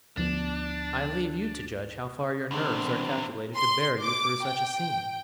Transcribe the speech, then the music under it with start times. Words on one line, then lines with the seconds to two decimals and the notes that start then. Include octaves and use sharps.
I leave you to judge how far your nerves are calculated to bear you through such a scene.
0.17 D2 F3 B3 D4
2.51 E2 C3 C4 D4
3.55 C6
4.00 D6
4.42 G5